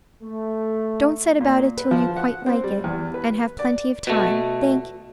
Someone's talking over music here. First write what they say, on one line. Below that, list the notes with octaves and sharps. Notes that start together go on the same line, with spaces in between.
'Don't set about it till you quite like it, and have plenty of time. Thank you.
A3
A#2
B4
F3
F#5
C4
G3
E2
B4
D5
B2 A3